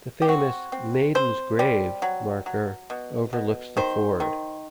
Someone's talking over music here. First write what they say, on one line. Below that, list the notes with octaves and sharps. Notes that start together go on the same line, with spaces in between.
The famous "Maiden's Grave" marker overlooks the ford.
G4
C4 F#4
C4
C4 C5
G3
F#3
F#3
B2
B2
D#3 C5
D#3